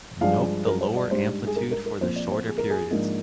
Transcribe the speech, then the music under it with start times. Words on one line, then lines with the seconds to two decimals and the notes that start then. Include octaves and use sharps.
Note the lower amplitude for the shorter periods.
0.21 G2 F3 G#3 D4 F5
0.66 A#4
0.81 C5
0.97 D5
1.11 G#2 G3 D4 C5
1.47 G#4
1.56 A#4
1.71 A#4
1.86 A#4
2.01 A#2 F3 C4 C5
2.16 D5
2.32 C5
2.46 G#4
2.58 A#4
2.70 G#4
2.91 G#2 F3 A#3 D4